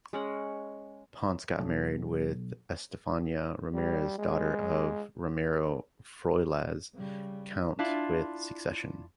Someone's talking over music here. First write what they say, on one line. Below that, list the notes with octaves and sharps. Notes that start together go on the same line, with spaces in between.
Ponce got married with Estefania Ramirez, daughter of Ramiro Froilaz count with succession.
G#3 C#4 F#5
B1
G3
G#3
C#3 G3
D4 E4 F4